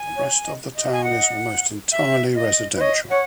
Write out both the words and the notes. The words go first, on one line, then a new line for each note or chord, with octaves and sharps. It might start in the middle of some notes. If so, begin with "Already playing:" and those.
The rest of the town is almost entirely residential.
Already playing: G#5
C#5
D#5
D#5
G#5
F#5
E5
D#5
B4
C#5 D#5
C#5 F#5